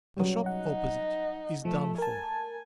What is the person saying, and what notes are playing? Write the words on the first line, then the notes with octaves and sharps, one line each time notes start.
The shop opposite is done for.
F#3 G3
D#4 F#5
F3 A3
A#4 G#5 A5